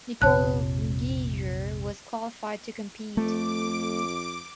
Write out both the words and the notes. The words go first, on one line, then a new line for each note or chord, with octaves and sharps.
Nicole Geiger has qualified to compete.
A#1 F2 C3 C#5 A5 F#6
F2 A3 D6